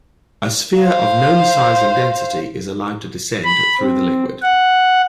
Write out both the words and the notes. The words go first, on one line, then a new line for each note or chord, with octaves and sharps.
A sphere of known size and density is allowed to descend through the liquid.
C5 F5
B5
C4
F#5